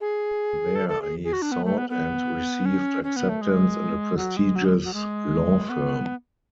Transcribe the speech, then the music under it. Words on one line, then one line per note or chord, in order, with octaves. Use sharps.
There he sought and received acceptance in a prestigious law firm.
G#4
A4
A4
G#4
G#4
F#4
D4
B3
A3
B3
B3
C#4
C#4
B3
A3
G#3
F#3
G#3
F#3
G#3
F#3
G#3
B3